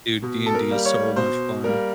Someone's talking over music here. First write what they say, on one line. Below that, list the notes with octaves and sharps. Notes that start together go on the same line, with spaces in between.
Dude, D&D is so much fun.
B2
A4
A#4
G3 A#3
C#5
B2 C5
G3 A#3 A#4